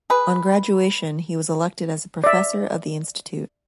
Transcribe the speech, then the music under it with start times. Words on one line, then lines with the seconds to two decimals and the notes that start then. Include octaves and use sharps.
On graduation he was elected as a professor of the institute.
0.10 G#4 B4
2.24 D5 E5